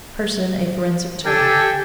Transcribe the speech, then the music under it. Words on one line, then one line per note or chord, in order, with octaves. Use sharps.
Person a forensic Term.
D4 G4 A4 G5 G#5